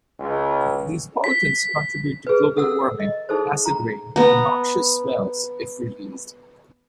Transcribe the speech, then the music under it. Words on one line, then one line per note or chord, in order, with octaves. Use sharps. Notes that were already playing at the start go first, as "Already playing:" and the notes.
These pollutants contribute to global warming, acid rain, and noxious smells if released.
C#2
B6
G#4 B4
A4 F#5 E6
D#5
D#4 G#4 A4 C5
A#5
B3 A#5